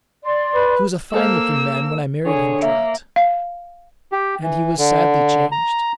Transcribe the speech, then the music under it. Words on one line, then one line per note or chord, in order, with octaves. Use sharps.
'He was a fine-looking man when I married him, Trot--and he was sadly changed!'
D5 C6
B4
A#3 A4 C5 F5 E6
D3 G#4 C#5
A#3 E5
F5
G4
E3
D3
A#5